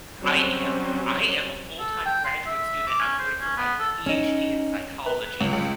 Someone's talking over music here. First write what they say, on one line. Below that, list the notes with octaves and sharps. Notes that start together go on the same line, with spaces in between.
I am, I am a full-time graduate student. I'm going for my PhD in psychology,
F#3 G3 C4 C#4
A4
G5
C6
E5
D6
C#4
C5
C#4
B3
A4
C#4 D#4
B4
C#2
C#2